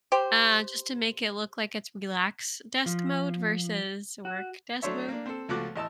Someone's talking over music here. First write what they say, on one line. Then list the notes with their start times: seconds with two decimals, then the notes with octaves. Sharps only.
uh, just to make it look like it's relax desk mode versus work desk mode.
0.12 G4 C5
2.86 F3
4.25 F#4
4.82 F#3 A3 D4 C5 C#5 E5
5.08 A#3 D4
5.26 C4 A4
5.49 C#2 F3 A3 F#4 D6 F#6
5.76 A1 D#5 A5 E6